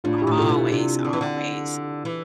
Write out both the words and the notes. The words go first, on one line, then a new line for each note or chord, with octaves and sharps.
Always, always.
A2 D4 F4
E4 G4
A2
C3 F4 A4
B2
E4 G4
C3 D4 F4
D3
E3
D3
E3